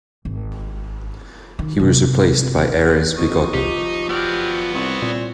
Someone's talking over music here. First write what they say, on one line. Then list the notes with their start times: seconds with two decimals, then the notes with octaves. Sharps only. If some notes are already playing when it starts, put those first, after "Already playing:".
He was replaced by Erez Vigodman.
0.25 G#1
1.59 D#3
1.79 C3
3.18 F2 D#5 C#6
3.54 F3 D#4 G4
4.09 F#3 B3 D5 G5 F6
4.74 C2 C4 C#5
5.02 C2 A#2